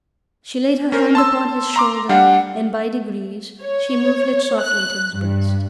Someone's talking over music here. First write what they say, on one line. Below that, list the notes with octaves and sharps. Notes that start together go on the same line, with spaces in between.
She laid her hand upon his shoulder, and by degrees she moved it softly to his breast.
C#4 A#4 C5
A5 C6 E6
A#5 C6 D6
G3 D4 F5 F#5
C#5
F#6
G2